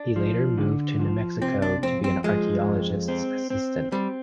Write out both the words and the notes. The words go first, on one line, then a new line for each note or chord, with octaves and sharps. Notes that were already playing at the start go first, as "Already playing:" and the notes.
He later moved to New Mexico to be an archeologist's assistant.
Already playing: D4
F3
D3
F3
C3 C4
D4
F2 C4
C4
F3 G#3
F2
C4
C4
G3 C4